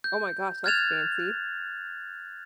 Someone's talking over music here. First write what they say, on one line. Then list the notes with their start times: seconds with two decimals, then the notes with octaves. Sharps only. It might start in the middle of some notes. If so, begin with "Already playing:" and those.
Oh my gosh, that's fancy.
0.04 G6
0.64 F6 F#6 G#6 A6 E7 F7